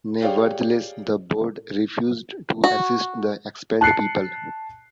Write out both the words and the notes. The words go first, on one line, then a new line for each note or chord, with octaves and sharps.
Nevertheless, the Board refused to assist the expelled people.
G4 G#4 C#5 D5 F5 G5
F#4
A5 F#6 C7 C#7